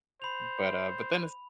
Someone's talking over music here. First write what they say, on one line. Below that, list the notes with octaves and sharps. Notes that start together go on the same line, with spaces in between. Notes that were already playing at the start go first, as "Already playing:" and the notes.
M but uh, but then it's
C5 B5 F7